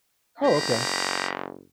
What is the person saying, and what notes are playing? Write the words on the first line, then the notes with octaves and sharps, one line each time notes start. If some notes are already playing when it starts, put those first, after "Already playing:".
Oh, okay.
F#1 G4 B4 A#5